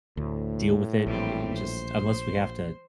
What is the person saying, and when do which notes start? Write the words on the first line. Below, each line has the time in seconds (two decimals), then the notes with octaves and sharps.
deal with it and just unless we have to,
0.17 D2 A2
1.07 A#1 E3 G3 C4
1.55 C5